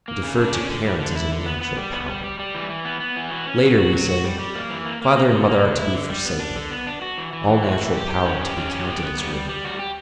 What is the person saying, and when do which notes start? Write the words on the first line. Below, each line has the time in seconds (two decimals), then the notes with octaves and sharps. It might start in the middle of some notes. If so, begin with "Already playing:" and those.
We defer to parents as a natural power; later we say: Father and mother are to be forsaken, all natural power to be counted as riven.
0.08 A#3
0.23 C#3
0.38 D4
0.53 C#4
0.69 D3
0.84 G3
1.00 D3
1.16 E4
1.31 D3
1.46 B3
1.61 B3
1.77 G3
1.93 B3
2.08 G3
2.24 G3
2.39 G3
2.55 E3
2.70 E3
2.85 B3
3.00 B3
3.16 E3
3.31 F#4
3.47 C#4
3.63 F#3
3.78 F#4
3.93 F#3
4.09 F#4
4.25 G3
4.39 G3
4.56 A#3
4.70 E3
4.85 A#3
5.01 A#3
5.16 A#3
5.32 D3
5.48 A#3
5.63 D3
5.78 E4
5.94 D3
6.09 G3
6.25 B3
6.40 D4
6.56 D3
6.71 B3
6.87 D4
7.02 F#4
7.18 E3
7.33 E3
7.48 E3
7.64 F#4
7.80 E3
7.94 G4
8.10 G4
8.25 C#4
8.41 G4
8.57 C#4
8.72 G4
8.87 B3
9.02 B3
9.17 G3
9.33 G3
9.49 G3
9.65 F#4
9.79 G4